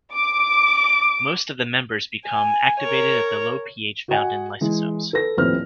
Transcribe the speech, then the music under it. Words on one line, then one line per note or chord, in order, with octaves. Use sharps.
Most of the members become activated at the low pH found in lysosomes.
D6
G#5
A#4 C#5
F#4 D#5 F#5 G#5
E3 G#3
A4 B4 A#6
D#1 A2 F3 C4 B4 F6